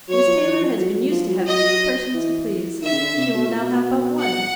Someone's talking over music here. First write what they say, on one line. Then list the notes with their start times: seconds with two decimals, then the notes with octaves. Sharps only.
Miss Taylor has been used to have two persons to please; she will now have but one.
0.09 F#3 C#5
0.26 F3
0.44 E3
0.60 F3
0.77 F#3
0.94 F#3
1.11 F3
1.28 F#3
1.39 F3
1.45 F#3 D#5
2.14 E3
2.82 D#3 E5
2.91 C#3
2.99 D3
3.17 C3
3.34 B2
3.47 A#2
3.61 B2
4.20 F#5